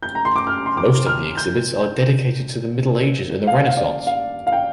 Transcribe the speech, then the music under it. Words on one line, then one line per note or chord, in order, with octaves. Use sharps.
Most of the exhibits are dedicated to the Middle Ages and the Renaissance.
G6
A#5
C6
D6
F6
C6
D6
F6
G6
F5
F5
D5
F5
F5
G5